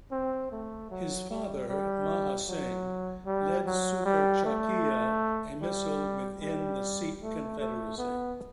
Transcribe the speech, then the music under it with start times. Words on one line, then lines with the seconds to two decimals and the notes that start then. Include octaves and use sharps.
His father Maha Singh led Sukerchakia, a misl within the Sikh Confederacy.
0.12 C4
0.52 A3
0.91 F#3
1.30 G3
1.69 G3
2.48 F#3
3.26 G3
3.67 F#3
4.06 G3
4.45 A3
5.62 G3
6.41 G3
7.20 A3
7.60 A3
7.98 B3